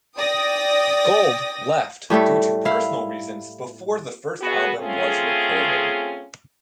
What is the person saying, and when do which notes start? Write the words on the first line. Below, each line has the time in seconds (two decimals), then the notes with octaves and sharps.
Gold left due to personal reasons before the first album was recorded.
0.17 D5 G5 D#6 A#6
2.10 A2 G3 A3 A4
2.65 E4 F5
4.41 B3 F#4 G#4
4.79 A3 C4 C#4 F4 G#4